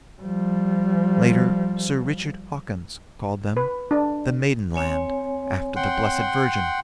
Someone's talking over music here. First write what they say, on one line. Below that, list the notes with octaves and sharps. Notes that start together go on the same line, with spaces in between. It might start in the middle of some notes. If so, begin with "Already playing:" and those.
Later Sir Richard Hawkins called them the Maidenland, after the Blessed Virgin.
F3 G3
B4
D4
C4 C#5 G#5
F#5 G5 C6